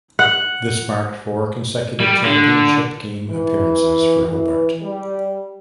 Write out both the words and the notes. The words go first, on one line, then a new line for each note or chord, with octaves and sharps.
This marked four consecutive championship game appearances for Hobart.
F#5
G3
D3
E3
E3
G3